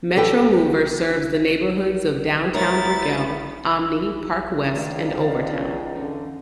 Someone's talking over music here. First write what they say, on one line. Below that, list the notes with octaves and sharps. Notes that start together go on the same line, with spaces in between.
Metromover serves the neighborhoods of Downtown, Brickell, Omni, Park West, and Overtown.
G4 A4 B4 G5
G#3 B3 E4 A#4 C5 C#5 A6
C#2 D3 D#3 A3 D5 F5 A#5
E3
C#4 D#4
E2 D3 C#4 D#4